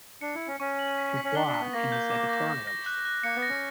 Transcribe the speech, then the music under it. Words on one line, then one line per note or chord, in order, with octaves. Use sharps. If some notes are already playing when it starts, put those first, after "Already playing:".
Du Bois in his editorials.
D4 C#7
E4
C#7
C#4
C#4 C#6
F#7
B6
B6
C#4
D4 G7
D4
B6
B3
A#3 A#6
G6
D6
A#6
A#6
A#6
F#6
F#6
A#3 C#7
B3
A#6
C#4